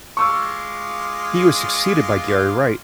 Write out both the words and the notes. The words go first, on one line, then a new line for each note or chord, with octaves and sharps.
He was succeeded by Gary Wright.
G#3 F4 C#6 D6 E6